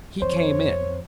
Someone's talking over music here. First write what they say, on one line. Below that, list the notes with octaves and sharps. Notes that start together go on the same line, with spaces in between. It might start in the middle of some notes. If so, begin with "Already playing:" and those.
He came in.
F2 C5 C#5